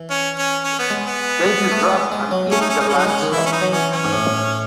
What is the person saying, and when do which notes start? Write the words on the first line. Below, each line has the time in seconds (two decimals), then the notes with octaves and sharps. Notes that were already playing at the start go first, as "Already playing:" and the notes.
They disrupt and eat the limestone.
Already playing: E3
0.10 C#4
0.38 C#4
0.64 C#4
0.79 B3
0.90 G#3
1.06 B3
1.71 A3
1.91 G#3
2.12 G#3
2.31 F#3
2.51 A3 C#4
2.61 D#4
2.70 C#4
2.79 G#3 D#4
2.89 C#4
2.95 F#3 D#4
3.05 G#3 C#4
3.22 D#3
3.32 E3 E4
3.46 C#4
3.52 D#4
3.61 F#3
3.73 E3 C#4
3.93 C#4
4.05 G#2
4.13 A2